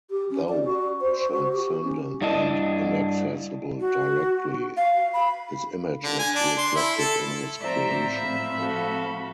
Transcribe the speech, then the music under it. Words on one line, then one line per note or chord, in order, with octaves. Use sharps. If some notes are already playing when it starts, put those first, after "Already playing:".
Though transcendent and inaccessible directly, his image is reflected in his creation.
G4
C#4
D5
F#4
C5
F#4
G4
C#4
G2 D4 E4 D#5 A5
F#4
F5
B5
D3
G#5
D4
C6
E4
A4
A2 F3 C4 C5 D5 E5 A#5
F5 B5
F#4 A4